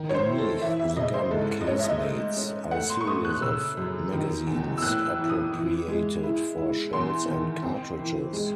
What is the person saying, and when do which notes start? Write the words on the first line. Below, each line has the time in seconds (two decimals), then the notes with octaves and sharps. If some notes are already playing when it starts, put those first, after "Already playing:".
Beneath the gun casemates are a series of magazines appropriated for shells and cartridges.
Already playing: D#3
0.09 C#5
0.14 C5
0.26 E4
0.38 A4
0.61 E3 E5
0.80 E5
0.97 C#3 D#5
1.14 C5
1.31 G#2 A4
1.61 D#5
1.67 G#2 C#5
1.79 E5
1.84 D#5
2.02 A3
2.37 C#4
2.71 A3 F#5
2.90 C6
3.01 C#6
3.07 A3 D#6
3.25 F#6
3.42 C#3 E6
3.77 F#2
4.13 D#3
4.47 E2
4.78 E6
4.82 A2 F#6
5.06 E6
5.18 E3
5.29 D#6
5.52 E3
5.88 G#3
6.23 E4
6.58 E4
6.93 E2 C6
7.28 D#3
7.63 C4
7.99 E3
8.33 G#3